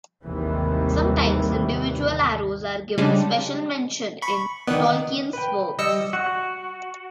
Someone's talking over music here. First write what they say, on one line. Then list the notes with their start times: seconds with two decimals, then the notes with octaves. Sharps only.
Sometimes individual arrows are given special mention in Tolkien's works.
0.24 G#1 D#2 C3 D#3 E3 G3
2.98 C#3 G3 G#3 D4
4.22 B5 C#6
4.67 D#3 B3 D5 D#5 G5
5.33 B4 G5
5.79 G3 D#5 E6 C#7
6.13 F#4